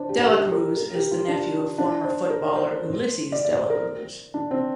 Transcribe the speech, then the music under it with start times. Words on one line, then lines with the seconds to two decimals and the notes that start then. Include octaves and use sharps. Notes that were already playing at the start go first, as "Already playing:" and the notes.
De La Cruz is the nephew of former footballer Ulises de la Cruz.
Already playing: D4 C5
0.09 G4
0.27 G4
0.52 A#4
0.77 A#4
0.95 G4
1.11 F4
1.28 D4
1.78 D4
2.04 C5
2.30 A#4
2.48 D5
2.56 C5
3.32 D5
3.45 D5
3.57 C5
3.70 A#4
4.34 D4
4.51 C4